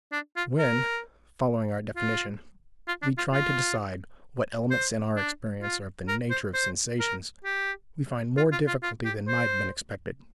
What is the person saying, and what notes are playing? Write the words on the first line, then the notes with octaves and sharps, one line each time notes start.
When, following our definition, we try to decide what elements in our experience are of the nature of sensations, we find more difficulty than might have been expected.
D4
F4
A#4
F4
F4
D4
F4
F4
C5
D4
F4
A#4
C5
C5
A#4
G4
F4
F4
F4
F4
G4
C5